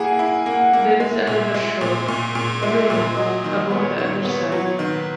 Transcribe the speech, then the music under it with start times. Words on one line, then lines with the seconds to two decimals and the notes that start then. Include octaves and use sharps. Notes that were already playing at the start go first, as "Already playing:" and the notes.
There is another shore, you know, upon the other side.
Already playing: A#3 E4 G#4 F#5
0.19 E4
0.46 A#3 F#5
0.73 A#3
1.00 G#3 E5
1.27 A#2
1.54 G#3
1.81 A#2
2.08 A#2
2.35 A#2
2.63 G#3 E5
2.90 A#2
3.17 F#3 D#5
3.44 D#3
3.71 B3 C#5
3.98 D#3
4.25 B3 C#5
4.52 F#3
4.79 D#3 B4